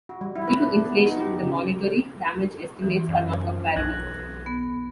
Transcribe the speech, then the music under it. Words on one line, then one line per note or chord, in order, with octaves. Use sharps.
Due to inflation, the monetary damage estimates are not comparable.
F#4
G3
E4
B4
D4
B3
D#4
G4
C#3
E3
F#2
F3
B1 F#6 G#6 A#6
B3